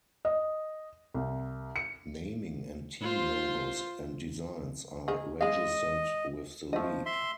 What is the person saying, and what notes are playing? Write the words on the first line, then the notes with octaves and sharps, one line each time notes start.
Naming and team logos and designs are registered with the league.
D#5
C2
C#7
F4 C5
D#3 G#4
G#3 D#5 F5
F3 A3 D#5
E5 C6